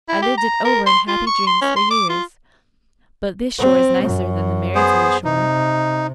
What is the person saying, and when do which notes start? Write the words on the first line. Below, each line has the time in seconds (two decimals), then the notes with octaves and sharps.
I lived it over in happy dreams for years. But this shore is nicer than the Marysville shore.
0.09 E4
0.22 G4
0.38 A#5
0.65 A#4
0.86 C6
1.08 F4
1.27 C#6
1.47 C6
1.61 C#4
1.76 C6
1.91 D6
2.09 F4
3.58 C4
4.04 F#2
4.75 B3 G#4 C5
5.25 C3 D#4